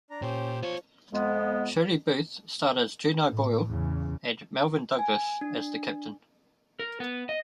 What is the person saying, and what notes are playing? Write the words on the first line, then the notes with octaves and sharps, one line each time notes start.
Shirley Booth starred as Juno Boyle and Melvyn Douglas as the Captain.
D4 A#5
A#2 C#4 G4 C5
F3 B3 C#5
F2 G#3 B3
A2
E2 C#3
G#5
D4
A#4
B3
D#5